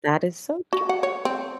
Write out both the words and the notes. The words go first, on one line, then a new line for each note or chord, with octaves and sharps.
That is so true.
F#4
F#5
C#5
C4